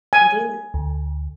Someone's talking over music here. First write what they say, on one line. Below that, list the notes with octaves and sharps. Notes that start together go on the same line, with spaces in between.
It is.
G#5
D2